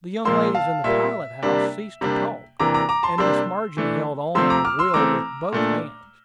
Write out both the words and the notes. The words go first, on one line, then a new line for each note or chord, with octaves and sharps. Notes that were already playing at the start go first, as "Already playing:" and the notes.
The young ladies in the pilot-house ceased to talk, and Miss Margie held on at the wheel with both hands.
A#2 F3 A#3 C6 E6
F5 A5
A#2 G3 A#3 E5
C3 G3 A#3 D4
C3 G3 A#3 D4
C3 E3 A#3 D4 A#5 D6
A#5 D6
A#5 D6
A5 C6
C3 G3 A#3 D4 C6 E6
E3 A3 D4
C3 F3 A3 C4 C6 E6
A#5 D6
D6 F6
C6 E6
E3 A3 C4 A#5 D6
A#2 A3 D4